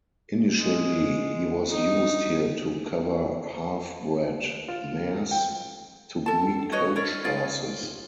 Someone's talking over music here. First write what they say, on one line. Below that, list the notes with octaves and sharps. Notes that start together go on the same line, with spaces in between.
Initially he was used here to cover "half-bred" mares to breed coach horses.
G#3
D#4
F4
G5
A4 A5
F#4 B4 C#5 D#5
E4 A#4 C#5 D5
D#4 F4 D5